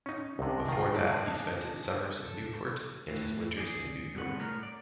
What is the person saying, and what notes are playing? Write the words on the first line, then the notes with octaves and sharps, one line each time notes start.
Before that he spent his Summers in Newport and his Winters in New York.
C#4 D#4
C2 C3 D4 G#4 D#5
D#3 F4
A4
A2 E3
G#4 D5
C2 G2 D3 B3 F#5
A2 A#4
D5